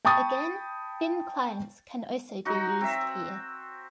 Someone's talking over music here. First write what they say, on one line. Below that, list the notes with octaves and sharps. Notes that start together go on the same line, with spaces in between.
Again, thin clients can also be used here.
G5 A5 B5 C#6 D#6 A6
F#3 D#4 F#4
C4 E5